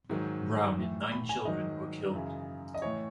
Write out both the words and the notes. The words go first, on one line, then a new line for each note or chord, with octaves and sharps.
Brown and nine children were killed.
G#2 D#3 F#3
A2 E3
B5
G#5
G#2 D#3 F#3 D#5
F#2 C#3 E3
D#5
A2 E3 C#5